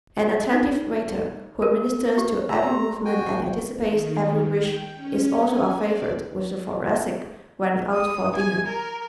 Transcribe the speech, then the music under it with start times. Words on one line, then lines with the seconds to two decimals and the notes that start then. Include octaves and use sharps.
An attentive waiter who ministers to every movement and anticipates every wish is also a favorite with the Thoracic when out for dinner.
0.53 D#4
1.62 A#4
2.18 G4
2.49 A#4 D5 A#5
2.67 G4 C6
3.05 F#4 G5 G#5
3.86 D#3
4.59 G5
4.96 C#4
5.39 G#5
5.82 D5
7.92 D#6
8.36 G#5
8.66 A#4